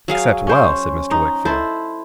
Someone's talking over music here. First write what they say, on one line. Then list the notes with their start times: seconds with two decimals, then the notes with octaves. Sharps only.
'Except well?' said Mr. Wickfield.
0.08 F#3 G#4 F5
0.47 C#4 C5
1.11 D#4
1.45 E4 A4 C5